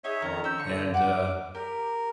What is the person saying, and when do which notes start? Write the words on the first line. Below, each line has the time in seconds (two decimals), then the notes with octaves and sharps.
And, uh
0.04 D#4 G#4 C#5 E5
0.22 F2 D#3 C#4 A#5
0.44 C#4 E6 G6
0.58 D3 C6 C#6
0.94 F#5 D6
1.55 G4 A#4